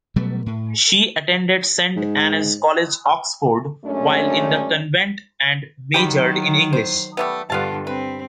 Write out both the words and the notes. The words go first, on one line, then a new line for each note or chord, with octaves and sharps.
She attended Saint Anne's College, Oxford, while in the convent and majored in English.
B2 F#3 G3 A3
A2
G#2
F#2 G#3 A3 C#4 D4
D#3 F#3 G4 B5
C5
G3 A3 B3
G2 D3 B3 F4 F5 A5
C4 B4